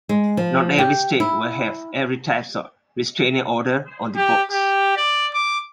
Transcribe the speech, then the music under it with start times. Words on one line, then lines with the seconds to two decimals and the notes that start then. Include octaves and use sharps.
Not every state will have every type of restraining order on the books.
0.09 G#3
0.37 F3
0.78 G4
1.20 E4
4.16 G4
4.51 G4
4.96 D5
5.34 D6